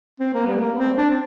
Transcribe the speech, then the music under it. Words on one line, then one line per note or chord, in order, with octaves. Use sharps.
Other flaw.
C4
A#3
G3
A#3
C4
D4
C4